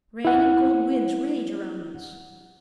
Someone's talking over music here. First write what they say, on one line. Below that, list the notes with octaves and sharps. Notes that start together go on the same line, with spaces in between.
Rain and cold winds rage around us.
E4 F#5